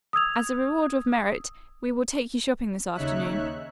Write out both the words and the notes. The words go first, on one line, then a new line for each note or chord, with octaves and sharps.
"As a reward of merit we will take you shopping this afternoon."
D#6 E6 G#6 F7
D#2 C#3 D#4 C#5 E5 F#6